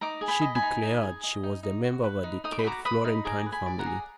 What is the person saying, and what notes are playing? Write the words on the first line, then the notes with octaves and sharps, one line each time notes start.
She declared she was the member of a decayed Florentine family.
D#4 A#5 D6
G#4
G#5 B5
D#5
G#5 B5
D#4
D#4
G#4
D#5
D#4
D#4
F#4
B4
D#4
D#4 D#6
D6
B5
F#4 A#5 D6
B4 B5 D#6
D#4
G#4 A#5 D6
B4
G#5 B5
D5
F#5 A#5
G#4